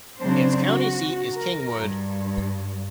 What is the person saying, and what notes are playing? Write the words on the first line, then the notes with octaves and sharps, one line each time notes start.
Its county seat is Kingwood.
C#3 F#3 C4 D4 C5
F#4
A#4
G2